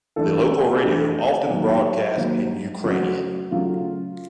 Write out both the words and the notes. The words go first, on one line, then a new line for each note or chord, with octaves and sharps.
The local radio often broadcasts in Ukrainian.
E3 A3 D4 A4
E3 A3 D4 G4
D#3 F#3 A#3
D#3 F#3 A#3
C#3 F#3 A3 F#4
C#3 F#3 A3 F4